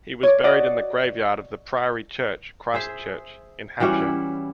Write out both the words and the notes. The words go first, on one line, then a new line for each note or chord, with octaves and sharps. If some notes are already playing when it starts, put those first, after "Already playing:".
He was buried in the graveyard of the Priory Church, Christchurch in Hampshire.
C#5 D5
F#4 D5 D#5
G#4 C5 E5
E3 G3 C#4 F#4
E4